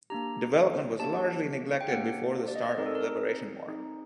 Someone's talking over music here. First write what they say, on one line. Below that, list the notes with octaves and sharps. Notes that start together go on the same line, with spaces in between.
Development was largely neglected before the start of the liberation war.
A#3 D4 G4 A#5
A#3 D4 G4 A5
G5
A#3 D4 G4 F#5
D5
D#5
D5
C4 D#4 G#4 A#4
A4
A#4
C4 D#4 G#4